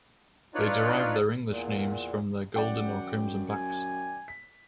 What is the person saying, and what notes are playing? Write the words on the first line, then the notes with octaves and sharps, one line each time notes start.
They derive their English names from their golden or crimson backs.
D4 D#4 F4 B4 C#5 D5
E2 A#2
F#2 D5 F#5 G5
G#5
B6